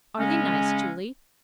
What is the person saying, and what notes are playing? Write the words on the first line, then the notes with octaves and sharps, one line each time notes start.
"Are they nice, Julie?"
C#3 G#3 C#4